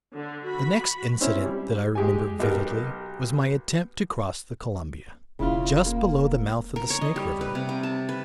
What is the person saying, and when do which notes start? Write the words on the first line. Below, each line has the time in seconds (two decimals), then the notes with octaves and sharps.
The next incident that I remember vividly was my attempt to cross the Columbia, just below the mouth of the Snake River.
0.13 D3
0.45 F#4 B5
1.21 C4 C#4 E4
1.45 G3
1.95 G#3 G4 G#5
2.40 B1 G4 A#4
5.39 E1 C#3 E4 F4
5.86 A#3
6.76 A#4
6.90 C#5
7.01 D#5
7.16 G3
7.41 B4
7.55 C3
7.69 G5
7.83 A5
8.09 B4